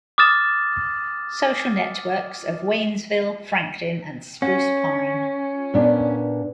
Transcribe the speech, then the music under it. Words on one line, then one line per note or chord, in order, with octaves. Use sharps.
Social networks of Waynesville, Franklin, and Spruce Pine.
D6 D#6 F6 A6 E7
C#4 F#5
A#2 B3 D4